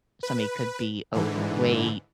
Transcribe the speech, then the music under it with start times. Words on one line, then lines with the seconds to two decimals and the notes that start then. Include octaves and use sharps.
Somebody could be overweight.
0.23 B4
1.14 G#2 D3 E3